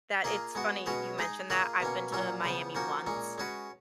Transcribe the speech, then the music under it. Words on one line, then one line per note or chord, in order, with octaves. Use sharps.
That it's funny you mentioned that. I've been to Miami once,
A#3 F4 G#4 D#5
G#3 B3 F#4
B2 G#3 C#4 F#4 B4
G#3 D#4 G#4 D#5
A#3 F4 G#4 D#5
B2 A#3 C#4
A#2 F#3 C#4 F4
C#3 F3 B3
F3 A#3 C#4 F#4
A#2 G#3 C#4
G#3 C#4 F#4 B4